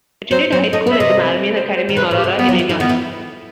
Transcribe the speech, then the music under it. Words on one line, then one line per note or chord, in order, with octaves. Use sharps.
He attended high school at the Marmion Academy in Aurora, Illinois.
F#3 C5
F#3 C5
A3 D#5
B3
E5
C3 D#5
C5
C5
D#3
C3 B4
A2
G4
C3
G3 B3
F#3
E3
D#3
D#3 B3
E3